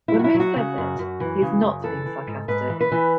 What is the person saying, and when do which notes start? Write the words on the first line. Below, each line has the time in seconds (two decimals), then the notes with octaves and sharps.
When Moose says it, he is not being sarcastic.
0.08 E4
0.13 F#3
0.19 F#4
0.24 E4
0.35 F#3
0.40 F#4
0.56 C#3 F#4
0.78 F#2
0.99 F#2
1.20 E3
1.42 C#3
1.63 F#2
1.84 E3 A4
2.05 E3
2.27 G#2
2.48 G#2 B4
2.69 E3
2.81 B4
2.92 E3